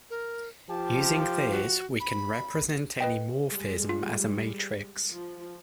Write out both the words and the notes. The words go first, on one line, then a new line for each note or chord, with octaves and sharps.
Using this, we can represent any morphism as a matrix.
A#4
F3 F4 G4 A5
F#4
B5
B4 D#5 G5
G3 G#3
F4
F3